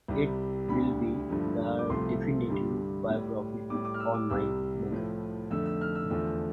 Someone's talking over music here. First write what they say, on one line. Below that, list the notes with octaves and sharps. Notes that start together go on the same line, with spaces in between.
It will be the definitive biography on my mother.
C2 C3 G3
D2 D3 G3 B5
G2 D3 F3 A3
D6
C2 C3 F3 A3 C6
G2 D3 G3
A2 G3
A2 G3 D6
D6
F6
E6
D6
C2 C3 G3 E6
A2 F3 A3
F2 D3 A3 E6
E6
F6
E6
E2 D3 F3 A3 E6